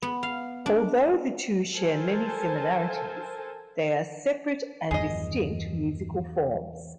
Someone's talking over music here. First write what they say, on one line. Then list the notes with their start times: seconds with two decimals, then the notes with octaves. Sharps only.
Although the two share many similarities, they are separate and distinct musical forms.
0.02 B3
0.23 F5
0.66 D4
1.74 A4 A#4 C5 G#5 A5
4.91 E2 G2 D#3 F3 G#4 D#5